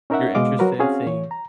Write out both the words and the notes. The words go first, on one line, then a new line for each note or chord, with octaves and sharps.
you're interested in seeing
C#4 D#4 A#4 C#5 E5 F#5
B2 G#3 D#5 F5 D6
F#3 F#4 A#4 B4
C4 C#4 F#4 G#4 F5
E3 C#5
A#5